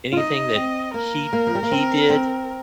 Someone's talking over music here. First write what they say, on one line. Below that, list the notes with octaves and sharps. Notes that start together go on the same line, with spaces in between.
Anything that he he did,
F4
D#4 D#5
C4
A#3 A#4
A#3
F3
G3
A#3
C4
C4